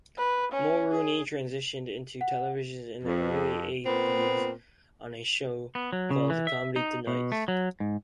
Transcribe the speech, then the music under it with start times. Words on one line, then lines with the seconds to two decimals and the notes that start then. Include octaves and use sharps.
Mulrooney transitioned into television in the early eighties on a show called Comedy Tonight.
0.17 B4
0.52 C#4
0.91 G#4
2.21 F#5
3.04 F2
3.86 A#2 B3 C4
5.75 B3
5.93 F#3
6.11 C#3
6.30 E3
6.47 E5
6.76 D#4
7.07 B2
7.32 A3
7.48 F#3
7.80 G#2